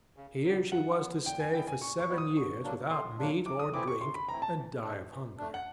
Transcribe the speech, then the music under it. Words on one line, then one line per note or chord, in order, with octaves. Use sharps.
Here she was to stay for seven years without meat or drink, and die of hunger.
C#3
F#3 B3
C#3 F#5
F#3 B3
A#2 G5
G#5
G3 B3 E4 G5
G#5
A#2 C#6
C#6
G3 B3 E4
D#6
D3 C#6
F#3 A#3 D4
D3 C6
F#3 A#3 D4
C3 D6
D#6
E3 A3 C4 E4 D6
C#6
C3 C6
B5
E3 A3 C4 E4 A#5
A5
E3
A3 D4
E3
A3 D4
F#5